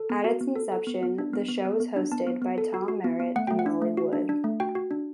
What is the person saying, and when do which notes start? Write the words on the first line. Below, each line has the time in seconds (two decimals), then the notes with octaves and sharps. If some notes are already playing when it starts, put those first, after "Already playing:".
At its inception, the show was hosted by Tom Merritt and Molly Wood.
Already playing: A4
0.10 B3
0.24 F#4
0.41 B3
0.56 A4
0.72 A4
0.87 B3
1.03 B3
1.18 D4
1.34 B3
1.49 B3
1.65 B3
1.80 B3
1.96 D4
2.12 B3 A5
2.27 B3
2.42 B3
2.58 A4
2.74 F#4
2.88 F#4
3.04 B3
3.20 B3
3.36 A3 F#5
3.47 A3 G5
3.59 F#5
3.66 D4
3.82 A3
3.97 F#4
4.13 D4
4.29 D4
4.44 A3
4.60 F#4 G5
4.75 F#4
4.91 D4